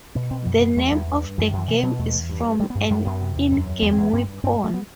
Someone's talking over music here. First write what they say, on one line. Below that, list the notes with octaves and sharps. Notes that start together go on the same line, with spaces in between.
The name of the game is from an in-game weapon.
B2 B3
B2 C4
F#2 B3
F#2 B3
E2 A3
E2 G3
G2
G2
F#2 E3
D#3
F#2 E3
B2 E3
B2 F#3
E2 A3
E2
G2
G2
G2 G3
B3
G2
A3
F#2 G3
F#2 B3
C3
E2
F#2
F#2
E2 B3
C4
E2
B3
G2 C4
G2
G2 C4
B3
G2
A3
B3